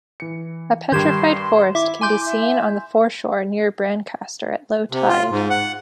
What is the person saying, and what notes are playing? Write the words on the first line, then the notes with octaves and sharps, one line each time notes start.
A petrified forest can be seen on the foreshore near Brancaster at low tide.
E3 C#7
G2 D#3 G4 C6 G6 G#6 E7
E4 E5 D6
G#5 C6 D6 G6
E5
C3
F4
G#2
F#5